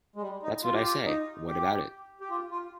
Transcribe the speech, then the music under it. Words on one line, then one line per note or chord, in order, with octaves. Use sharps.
That's what I say: What about it?
G#3
G3
D#4
F4
G4
F4
D#4
G4
G4
F4
F4